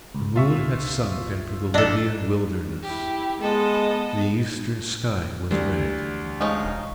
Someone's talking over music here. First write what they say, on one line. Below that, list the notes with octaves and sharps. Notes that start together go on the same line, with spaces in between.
The moon had sunk into the Libyan wilderness; the eastern sky was red.
C#2
F4 E5 C#6
A#1 D4 A4 D5 D#5
E4 G4
G#3 B3 A4 D#5
D2 E3 G3
F3 G#3 C#4 D#4
E1